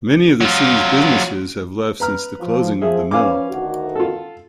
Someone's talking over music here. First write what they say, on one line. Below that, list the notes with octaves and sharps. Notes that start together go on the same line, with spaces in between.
Many of the city's businesses have left since the closing of the mill.
F#3 F4
B4 A#5 F6
F3
F3 G#4 E5
F3 C#4 B4 F5 G#5 D6
D2 D#3 F#4
F4 A4